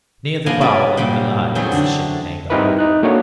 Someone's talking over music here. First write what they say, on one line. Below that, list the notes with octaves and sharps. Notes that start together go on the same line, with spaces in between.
Near the Bowl and the Lion is the ship named Argo.
F3 A#3 B3 D4 G#5 A#5
G3 C#4 F4 B4 D5
A#2 C#3 F#3 G3 A#3
E3 F#3 A3 C4 D#4 G#4
D3 D4
G3 C4 D#4 E4 A#4 B4
D#4 F#6
A3 A#3 D4 F#4 C#5